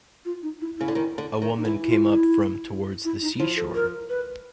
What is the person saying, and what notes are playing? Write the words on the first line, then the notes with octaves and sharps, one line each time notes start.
A woman came up from towards the sea shore.
F4
D#4
E4
C#3 E4
D3
D#3
D3
D#3
D#4
E3 E4
F4
E4
E4
D#4
F3 E4
A4
A#4
B4